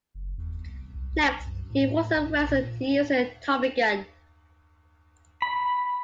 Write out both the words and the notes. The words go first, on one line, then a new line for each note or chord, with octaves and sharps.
Next he forces Wilson to use a Tommy gun.
F#1
E2
C2
B1
C2
F#2
A2
B1
A#2
B5